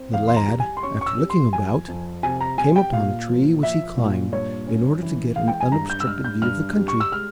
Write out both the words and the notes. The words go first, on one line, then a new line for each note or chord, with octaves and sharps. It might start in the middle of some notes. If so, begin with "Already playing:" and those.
The lad, after looking about, came upon a tree which he climbed in order to get an unobstructed view of the country.
Already playing: C4
E2 F5
C6
A#5
G3
G#5
C6
C#4 C#6
C#6
E6
G3
C6
F2 G#5
F2
C3 G#5
A#5
G3 G#5
G5
A#2 F5
F3
F3 E5
A#2
G2 C#5
C#4
E3
G#3 F5
G5
G#5
G2 A#5
G6
E6
G2 F6
G6
G2 F6
G3
C#6
E6
G#3 F6